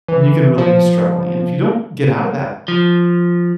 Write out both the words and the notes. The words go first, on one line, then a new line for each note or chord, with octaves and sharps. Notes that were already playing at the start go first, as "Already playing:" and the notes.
and you can really be struggling and if you don't get out of that,
E3
F3
F3